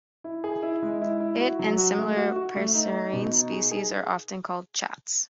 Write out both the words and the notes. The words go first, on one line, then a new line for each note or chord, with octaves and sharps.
It, and similar passerine species, are often called chats.
E4
G#4
E4
G#3
E4
E4
F#4
F#3
F#4
A3
F#4
F#4
A3
D#4
D#4
B2
D#4
G#4
G#4